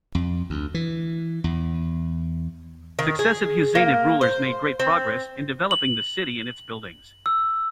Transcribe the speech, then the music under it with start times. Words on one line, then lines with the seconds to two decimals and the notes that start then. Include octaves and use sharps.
Successive Husainid rulers made great progress in developing the city and its buildings.
0.15 F2
0.50 D2
0.74 E3
1.44 E2
2.99 D#3
3.19 G#4
3.75 A#3
4.21 C5
4.80 C4
5.71 F#7
7.26 E6